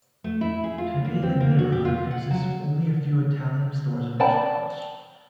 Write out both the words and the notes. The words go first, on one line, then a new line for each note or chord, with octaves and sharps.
Today the neighborhood consists of only a few Italian stores and restaurants.
A3
E4
G#4
F4
A#3
C4
A#3
F#4
G4
F4
F#5
F#3
D5 G5 A5 B5